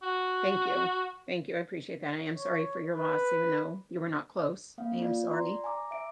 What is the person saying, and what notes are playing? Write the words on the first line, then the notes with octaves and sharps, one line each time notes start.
Thank you. Thank you. I appreciate that. I am sorry for your loss even though you were not close. I am sorry.
F#4
C#5
B4
A#3 F5
F4 D5
D5 A#5 C6
G#5 A#5 D6
E5 D7